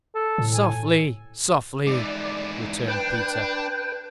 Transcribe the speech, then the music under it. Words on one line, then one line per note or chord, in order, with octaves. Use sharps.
"Softly--softly," returned Peter.
A4
A2
G#5
G#2 E3 D5
D4 B4 G5